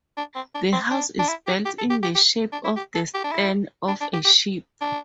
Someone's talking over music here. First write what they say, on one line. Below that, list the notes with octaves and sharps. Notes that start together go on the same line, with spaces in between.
The house is built in the shape of the stern of a ship.
D4
C4
D4
C4
D4
D4
E4
G4
G4
A4
G4
G4
G4
D4
E4
G4
A4
G4
D4
E4
D4
D4
G4
G4
D4